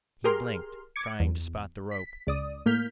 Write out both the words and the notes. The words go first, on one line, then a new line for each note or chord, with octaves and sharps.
He blinked, trying to spot the rope.
G4 G#4 A#4 C6 F6
D6 G#6 C#7
E2
B6
C#2 D5 D#6
A2 A#3 F6 G6 B6